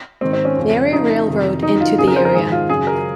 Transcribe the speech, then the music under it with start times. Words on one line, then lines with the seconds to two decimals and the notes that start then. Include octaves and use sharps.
Marie Railroad into the area.
0.21 G#2 C4
0.25 D#3
0.33 C4
0.45 C#4
0.56 F2 C#3
0.92 F2 C#3 D#4
1.28 F2 C3 D#3
1.63 F#2 D#3 D#4
1.81 F4
1.98 F2 C#3 G#4
2.07 A#4
2.16 C5
2.25 A#4
2.34 G#2 D#3 G#4
2.52 F4
2.69 F#2 C#3 G#4
2.87 A#4